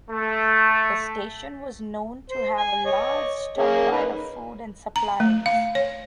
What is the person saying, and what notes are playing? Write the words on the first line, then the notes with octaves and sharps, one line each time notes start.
The station was known to have a large stockpile of food and supplies.
A3
C5
G#5
C#5 D#5
A#3 C#4 G#4
D#4 B4
A#5
A3
F5
C#5